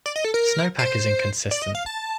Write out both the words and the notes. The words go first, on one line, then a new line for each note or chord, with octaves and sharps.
Snowpack is inconsistent.
D5
D#5
A4
A#4
C5
D5
D#5
F5
A5